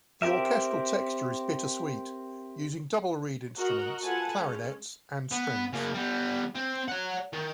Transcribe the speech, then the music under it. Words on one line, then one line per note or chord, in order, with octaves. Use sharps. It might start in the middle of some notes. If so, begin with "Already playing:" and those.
The orchestral texture is bittersweet, using double reed instruments, clarinets and strings.
C4 G4 A#4 E5
F#4 A#4 D#5 F#5
F4 A4 B4 F#5 G#5 A5
G#3 C#4
B3
C#3 A#3
G3 B3
C4
C#5 F#5
D#3